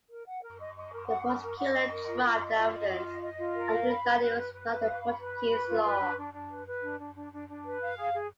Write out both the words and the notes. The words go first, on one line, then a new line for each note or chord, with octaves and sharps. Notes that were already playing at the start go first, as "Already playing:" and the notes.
The prosecutor dropped the evidence, arguing that it was not in Portuguese law.
A#4
F#5
A#4
D#5
D#5
A#4
F#5
A#4
A#4
F#5
D#5
A#4
F4
F4
D#5
F4
D#5
F4
D#5
D#5
F4
A#4
F5
B5
B4
B4
B4
B4
B4
F5
B5
B4
B5
B4
F4
B4
D4
D4
D4
B4
B4
D4
D4
D4
D4
D4
B4
F5
G#4
G#4